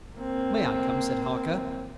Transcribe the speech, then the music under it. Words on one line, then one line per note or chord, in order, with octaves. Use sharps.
"May I come?" said Harker.
A#3 C4